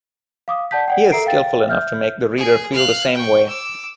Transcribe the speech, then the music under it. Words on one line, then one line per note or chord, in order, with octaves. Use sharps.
He is skillful enough to make the reader feel the same way.
F5 D6 D#6
D5 F#5 A5 G6 B6
D5 F#5 G5
A4 A#4 E5 A#5 C7 D7
F5 G5 A6
E5 F6 G6
G#4
F5 F#6
G5 C#6
D6 E6